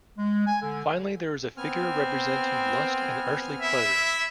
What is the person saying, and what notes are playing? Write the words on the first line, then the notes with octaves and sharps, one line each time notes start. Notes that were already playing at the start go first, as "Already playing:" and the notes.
Finally there is a figure representing lust and earthly pleasures.
G#3
G#5
D3
B3 C4 G#5 F6
E4 E5